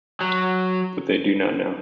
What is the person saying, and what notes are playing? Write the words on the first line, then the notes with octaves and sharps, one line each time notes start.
But they do not know.
F#3